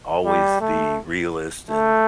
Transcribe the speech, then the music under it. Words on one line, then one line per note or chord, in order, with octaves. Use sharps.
always the realist and
G3
A3
A3